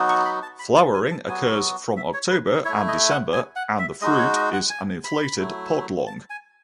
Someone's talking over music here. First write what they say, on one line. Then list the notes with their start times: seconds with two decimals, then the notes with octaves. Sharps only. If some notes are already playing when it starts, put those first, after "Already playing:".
Flowering occurs from October and December and the fruit is an inflated pod long.
Already playing: F#3 B3 D#4 F#4
0.09 C#6
0.25 B5
0.42 A5
0.59 B5
0.76 A5
0.94 G#5
1.11 A5
1.28 F#3 B3 F#4 G#5
1.97 E5
2.14 C#5
2.31 B4
2.65 A3 E4 C#5
2.88 D#5
3.10 F#5
3.33 G#5
3.56 F#5
3.79 E5
4.01 G#3 D#4 F#4 D#5
4.19 C#5
4.36 D#5
4.53 F#5
4.70 G#5
5.04 B5
5.38 F#3 A3 E4
6.07 A5
6.30 G#5